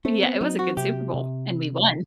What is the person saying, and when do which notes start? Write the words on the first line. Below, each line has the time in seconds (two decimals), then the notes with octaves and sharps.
Yeah, it was a good Super Bowl, and we won.
0.05 A3 C4
0.23 B3
0.41 F#3 D#4
0.59 F#4
0.77 C3 G4
1.14 C3